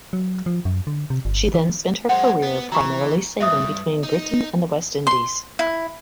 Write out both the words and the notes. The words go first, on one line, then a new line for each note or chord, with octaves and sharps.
She then spent her career primarily sailing between Britain and the West Indies.
F#3
F3
F#2
D3
C3
G1
E3
F#2 G#3 C5 F#5
B3
E3 A#5 C#6
G2 E5 D#6
D#4
C6
E4